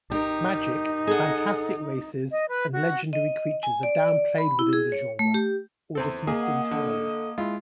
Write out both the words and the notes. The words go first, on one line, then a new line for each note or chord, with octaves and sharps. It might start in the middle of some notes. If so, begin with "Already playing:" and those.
Magic, fantastic races, and legendary creatures are downplayed within the genre, or dismissed entirely.
D#4 G4 A#4
G#4 A4 F#5
D#5
B4
F#4
D#5
G#5
D5
B5
E4
G#4
C#5
A3
G4
E2 C4 A4
A#3 G#4 D#5
F#5
D3 A4
G#3 E4 F4